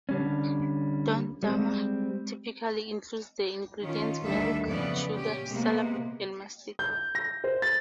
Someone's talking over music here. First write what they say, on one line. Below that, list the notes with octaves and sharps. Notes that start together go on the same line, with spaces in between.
Dondurma typically includes the ingredients milk, sugar, salep, and mastic.
D3 G3 C#4
G3 G#3 C4
D#3 C#4 F4
D2 D3 D#3 G3 A4 E5
F2 C#3 E3 B3 C#4 D5
A#2 C#4 G4
C3 G#3 A#3 B3
G6
A#6
C5
A6